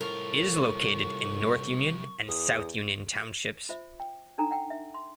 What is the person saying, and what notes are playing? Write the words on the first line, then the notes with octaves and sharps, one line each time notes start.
It is located in North Union and South Union townships.
C2 A2 F4 A#4 C#6
E2 D#6
F4 C5 E5
G5
D4 D#4 A4 G5 G#5 A#5
F#5 G5
E5
C6